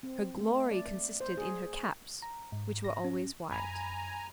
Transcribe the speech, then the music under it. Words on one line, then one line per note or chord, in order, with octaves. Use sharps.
Her glory consisted in her caps, which were always white.
C4
A3
D5
C5
G#4
A#5
G#2
A#6
C#4
F#2 G#5 A#5 B5 G#6